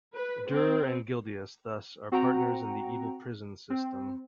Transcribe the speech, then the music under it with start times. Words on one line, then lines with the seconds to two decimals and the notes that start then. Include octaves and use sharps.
Durer and Guildias thus are partners in the evil prison system.
0.15 B4
0.47 C4
2.12 C4 F#4 F#5 G5 A#5
3.70 C4